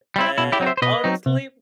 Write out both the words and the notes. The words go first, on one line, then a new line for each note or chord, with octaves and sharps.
And honestly,
G3 C4 E4
B2 E4
E4 G4
F#3 C4 D#4
C5 E5
C5
B2 B4 D#5
F#3 C4 D#4
C3